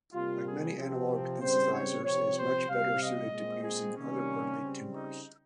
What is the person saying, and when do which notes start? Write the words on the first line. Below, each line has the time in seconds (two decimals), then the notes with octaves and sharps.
Like many analog synthesizers, it was much better-suited to producing "otherworldly" timbres.
0.12 C3 G3 A#3 F4
0.44 G#4
0.76 C3 F3 C4
1.40 C#3 G3 C4 C5
1.72 C#5
2.04 C3 F3 C4 C#5
2.35 C5
2.68 C3 G3 C4 F5
3.00 D#5
3.31 A#2 G#3 C4
3.63 G#4
3.95 C3 D#3 G3 A#3 C#4
4.59 C#3 G3 C4
4.92 D#4